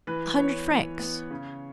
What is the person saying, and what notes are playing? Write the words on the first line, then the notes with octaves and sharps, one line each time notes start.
"A hundred francs."
E3 B4
B3 C#5
E3
B3
C#3